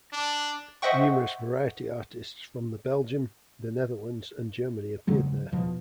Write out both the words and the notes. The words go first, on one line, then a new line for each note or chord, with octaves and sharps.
Numerous variety artists from the Belgium, the Netherlands and Germany appeared there.
D4
C5 D#5 E5 F#5 G5 C#6
E2 C#3 F#3 G#3
E2 B2 F3